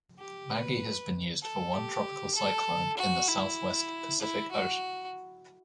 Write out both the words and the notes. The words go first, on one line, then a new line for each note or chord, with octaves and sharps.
Maggie has been used for one tropical cyclone in the southwest Pacific Ocean.
G4
B4
A4
G4
A4
F#4
E4
E4
F#4